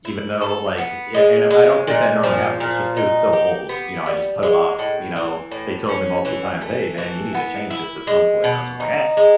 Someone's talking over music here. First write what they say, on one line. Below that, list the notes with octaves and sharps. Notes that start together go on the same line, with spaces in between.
even though, like yeah, and I I don't think that normally happens, it's just, it was so old, you know, I just put it off, you know they told me multiple times, "Hey man, you need to change this at some point," and I was just like,
E4
A4
B3
G#3
G#3
A#2
F3
A#2
D#4
G4
B3
G3
G#3
A2
E3
A2
C#4
E3
A3
E3
B3
E4
G#3
B2
D#4
G#3